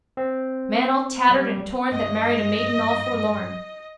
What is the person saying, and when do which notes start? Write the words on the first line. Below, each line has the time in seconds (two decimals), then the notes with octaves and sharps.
Man all tattered and torn that married a maiden all forlorn.
0.17 C4
1.27 G3
1.91 G2 D#5